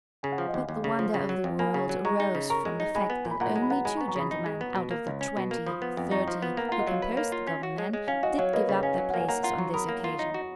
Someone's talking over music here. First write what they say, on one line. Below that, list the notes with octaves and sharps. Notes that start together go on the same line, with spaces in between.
But the wonder of the world arose from the fact that only two gentlemen out of the twenty or thirty who composed the Government did give up their places on this occasion.
C#3 G#5
F#5
F3 F5
D#5 F#5
D#2
D#2
C#3
F3
C#3
F#3
F2
A#3 G#5 B5
C#3
F#3
G#3 A#5 C#6
D#4
C#3
A#4 A#5 C#6
G#3
D#4
G#3 G#5 B5
B3
A#2
B5
A#2 F#5 A#5
G#3
B5
B3 F#5 A#5
G#3 G#5 B5
A#5 C#6
B3
A#5 C#6
C#3 B5 D#6
D#4
G#3
B3
B2
A#3
C#2
C#4
B2
A#3
F3 B5 D#6
B3
F2
D#4 A#5 C#6
F3
B3
A#3 F#5 A#5
F4 F#5 A#5
D#5 F#5
F#3 C#5 F5
B4
A#3
F4
C#4
F#4
G#3
G#3
C#4 F5 G#5
F#4 D#5 F#5
F#3 C#5 F5
A#3 B4 D#5
C#3
C#4 F5 G#5
F#3
A#3 F#5
G#5
A#3 F#5 A#5
F4 F#5 A#5
F#3 A#5 C#6
A#4 B5 D#6
A#3
F4
D#4
F#4